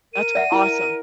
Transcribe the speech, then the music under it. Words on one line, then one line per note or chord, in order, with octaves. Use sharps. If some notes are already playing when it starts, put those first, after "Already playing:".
That's awesome.
A#4 D#7
D5 E5 F#5
E4 A#4